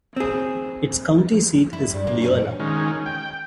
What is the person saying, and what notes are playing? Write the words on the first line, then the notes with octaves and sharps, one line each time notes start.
Its county seat is Leola.
C4 G#4
E4
G2
A#3
F#2 A3 C#4
D#3 G#3 C#4
G5